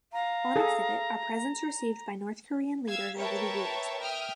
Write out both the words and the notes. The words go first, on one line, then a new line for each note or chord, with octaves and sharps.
On exhibit are presents received by North Korean leaders over the years.
F5 A#5
G#4 A4
F5 E6 G#6
A#4 B4 C#5 E5 G5 A5
E5 G5 D#6 F6